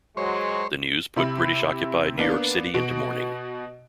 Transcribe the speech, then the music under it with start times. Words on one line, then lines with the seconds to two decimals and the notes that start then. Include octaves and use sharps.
The news put British-occupied New York City into mourning.
0.17 F#3 G#3 C5 C#5
1.16 C3 E4 B5
2.18 A#3 B3 D4
2.74 B2 F#4 D7